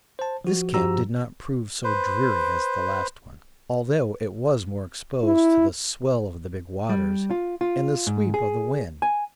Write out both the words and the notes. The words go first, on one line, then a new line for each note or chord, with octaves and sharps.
This camp did not prove so dreary as the last one, although it was more exposed to the swell of the big waters and the sweep of the wind.
C5 A5
F3 F#4
G2 F3 F#4 G4 A#5 E6
B4 C5
E4
G3
F4
F4
G#2
G#4
G#5